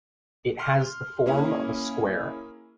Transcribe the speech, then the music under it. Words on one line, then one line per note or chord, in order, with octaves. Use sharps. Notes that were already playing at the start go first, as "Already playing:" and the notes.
It has a form of a square.
C6 F6
A#3 C#4 E4 G#4